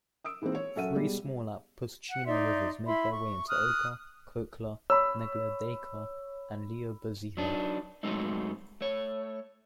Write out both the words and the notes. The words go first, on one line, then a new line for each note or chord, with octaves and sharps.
Three small at Pushchino rivers make their way into Oka: Khokhla, Neglyadeyka and Lyubozhiha.
D#6 E6 D7
D#3 E3 G#3 A#3 C4
C#5
F#2 C#4 A4 E5 F#5 D#7
B2 G3 G#3
F#5
D#4 D5 E5 C6
E4 E5 B5 C6
C#6
D#6 F6 F#6
C#5 B5 E6
F#3 D4 D#4
G2 F#3 G#3 A3 C4 D#4
A3 C#5